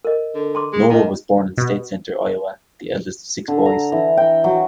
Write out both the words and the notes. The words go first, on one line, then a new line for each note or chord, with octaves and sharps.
Noble was born in State Center, Iowa, the eldest of six boys.
A#4 D#5
D3
A#5 C6 D6
G#3
D#3 D#5 A#5
B2
D3
A#5
E3
G5
F#3